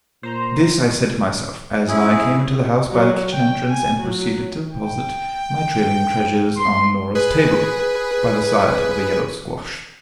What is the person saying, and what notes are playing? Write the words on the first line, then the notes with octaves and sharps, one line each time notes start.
This I said to myself, as I came into the house by the kitchen entrance, and proceeded to deposit my trailing treasures on Norah's table, by the side of a yellow squash.
A#2 C5 A#5
C#4 E4 G#4
F#3
G5
G#5
F#3
G5
C6
G#4 B4